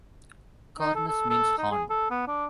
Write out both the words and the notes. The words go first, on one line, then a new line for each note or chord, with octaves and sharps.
'Cornus' means 'horn'.
D#4
A4
A4
A4
D#4
G#4
A4
B3
D4